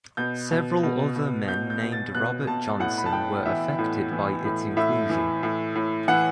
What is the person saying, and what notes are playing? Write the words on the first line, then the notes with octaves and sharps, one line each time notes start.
Several other men named Robert Johnson were affected by its inclusion.
B2 G6
B2
B2
B2
B2 G6
G6
B2
A6
B2 F#6
B2 A5
A2 F#5
B5
A5
A2 G5
E3 E5
A2
E3
A2
A2 E5
E3
A2
A2
E3 F#5